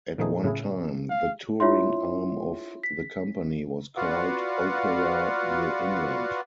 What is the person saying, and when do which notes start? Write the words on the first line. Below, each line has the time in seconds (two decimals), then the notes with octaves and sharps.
At one time, the touring arm of the company was called Opera New England.
0.18 A#2 D#3 F3 A3 D#4 G#4
0.44 A2 C#3 A3 E4 G#4
1.10 F5
1.60 D4 E4 F4 C#5 E5 C6
2.83 B6
3.97 F4 F#4 B4 D5 F5 F#5